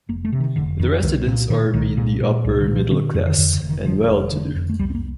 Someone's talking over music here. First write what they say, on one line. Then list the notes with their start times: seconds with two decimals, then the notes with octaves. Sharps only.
The residents are mainly upper middle class and well to do.
0.09 F1 A#3
0.25 A3
0.32 C3
0.40 D#3
0.56 F1 D3
0.79 F2 D#3
1.03 C2 D#3
1.27 A#2
1.50 A#2 D#3
1.74 C2 D#3
1.97 A#2
2.21 A#2
2.45 C2
2.60 D3
2.67 A#2
2.76 F3
2.91 D3 C4
3.14 F2 D3
3.27 D#3
3.38 F2 D#3
3.54 D3
3.61 F1
3.69 D#3
3.85 D3 F3
4.09 F1
4.32 D3
4.56 F2
4.70 A3
4.79 C2 G3
4.90 C4
4.95 A#3